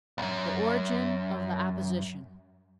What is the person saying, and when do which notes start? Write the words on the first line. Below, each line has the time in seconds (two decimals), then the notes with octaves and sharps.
The Origin of the Opposition.
0.18 B1 F#2